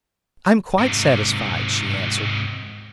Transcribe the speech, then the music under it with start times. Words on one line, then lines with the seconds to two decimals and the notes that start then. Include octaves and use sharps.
"I'm quite satisfied," she answered.
0.79 G#2 C3